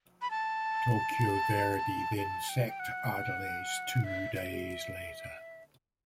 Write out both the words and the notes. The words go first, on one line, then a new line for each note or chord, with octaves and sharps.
Tokyo Verdy then sacked Ardiles two days later.
B5
A5
A5
G5
G5
F#5
E5
E5